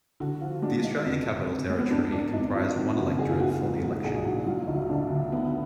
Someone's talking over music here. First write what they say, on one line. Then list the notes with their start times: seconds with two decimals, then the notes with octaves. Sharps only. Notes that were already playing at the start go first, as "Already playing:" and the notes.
The Australian Capital Territory comprised one electorate for the election.
0.20 D3 F#4
0.41 F3 F4
0.62 G#3 D4
0.83 G#3 D#4
1.05 F1
1.27 F1
1.47 F1
1.69 G#3
1.79 B3
1.90 G#1 D4
2.12 G#1 D4
2.33 G#1 D#4
2.55 G#1 F4
2.76 D#3 F#4
2.97 F#1 F#4
3.18 F#1 G#4
3.30 F4
3.40 D#3 F#4
3.51 F#4
3.61 G#2
3.83 G#2 F#4
4.04 A#1 G#4
4.25 A#1 F#4
4.46 F#3 F4
4.67 D2 D#4
4.89 D3 D4
5.10 D2
5.32 D#3 B3